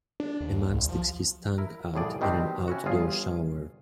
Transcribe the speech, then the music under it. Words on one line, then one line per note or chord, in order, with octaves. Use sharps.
A man sticks his tongue out in an outdoor shower.
D4
D#2
C2
F3
E4 A#4
C2 F2 A2 G#4 D5
B2 D#3 G3 C4 D4 G4
C#4 E4 F#4
G1 D2 G2 F4 G#4